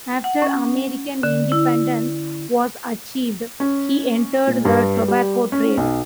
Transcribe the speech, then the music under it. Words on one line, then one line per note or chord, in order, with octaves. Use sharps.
After American independence was achieved, he entered the tobacco trade.
F#5
C#4
D3
E4
C#4
A#2
G2
G3
C#4
B1